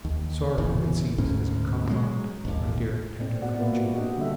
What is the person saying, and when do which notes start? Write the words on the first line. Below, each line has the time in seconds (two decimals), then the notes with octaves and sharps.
Sorrow, it seems, is our common lot, my dear, tender friend Julie.
0.05 D#2
0.58 G1 E2 C#3 E3
1.18 D2 G#2 C#4
1.90 F#3 G#3
2.45 G#1 D#2
3.20 A#2 C4 D5 D#5
3.42 B3 F#4 D5 F#5
3.59 A#3 F4 B4 E5
3.76 F#4 G4
3.95 C4 D4 G4 C5 D#5 F#5
4.17 D3 G3 A4 E5